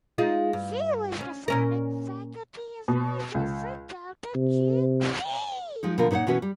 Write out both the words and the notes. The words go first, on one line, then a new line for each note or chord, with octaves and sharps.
She was the founding faculty advisor for Delta Chi Xi.
G#3 D#4 F4
G2
C#4
A#2 C#4 A#4
B2
C#2
C3
F3 G#3 D#4
B2 D3 F3 F4 A#4
A#2 D#4 B4 C#5 F#5
B2 E3 C#4 F#4 B4 E5
G3